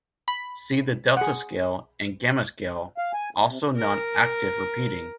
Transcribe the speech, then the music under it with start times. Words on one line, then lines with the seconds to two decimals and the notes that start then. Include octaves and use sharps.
See the Delta scale and Gamma scale, also non-octave repeating.
0.28 B5
1.17 G#4 F#5
2.98 F5
3.14 G#5
3.35 D#2
3.46 C3
3.77 A#4